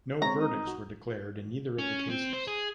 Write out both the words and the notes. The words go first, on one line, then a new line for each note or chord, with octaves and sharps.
No verdicts were declared in either of the cases.
G#3 C4 C#5 A#5
D#4
C2 F#4
C#4
C4
C5
G#4